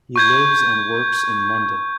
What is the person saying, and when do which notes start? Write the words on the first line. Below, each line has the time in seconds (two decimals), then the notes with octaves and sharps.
He lives and works in London.
0.16 C#6 G6 G#6